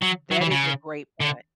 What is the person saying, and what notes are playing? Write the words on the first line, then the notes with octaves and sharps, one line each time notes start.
That is a great point.
F#3
F#3
E3
C#3
D3